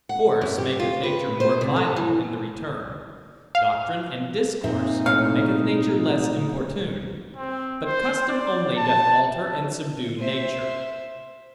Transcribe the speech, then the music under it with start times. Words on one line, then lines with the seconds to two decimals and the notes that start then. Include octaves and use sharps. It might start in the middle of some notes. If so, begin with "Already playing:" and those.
Force, maketh nature more violent in the return; doctrine and discourse, maketh nature less importune; but custom only doth alter and subdue nature.
0.09 F#5
0.41 F#2
0.58 G4
0.79 F4
1.03 B4
1.40 C5
1.61 C3
1.76 A4
1.96 E3
3.55 F5
4.64 A#2 C4 D#4 E5
5.06 B1 A2 C#5 F5
7.36 C4
7.85 C5
8.29 D5
8.77 A5
10.18 C5 E5